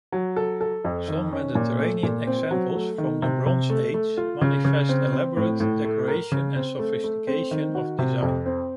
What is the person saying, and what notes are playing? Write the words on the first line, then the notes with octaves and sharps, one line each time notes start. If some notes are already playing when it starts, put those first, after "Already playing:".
Some Mediterranean examples from the Bronze Age manifest elaborate decoration and sophistication of design.
F#3
A4
A4
F2
D#3
C#4
A#2
A3
A#2
C4
F#3
A3
D#3
C3
C3
A3
A3
F4
C#3
C#3
C4
C4
A2
A2
A3
A#4
C#3
C4
A3
A3
C4
D#3
F#4
C3
F2
C4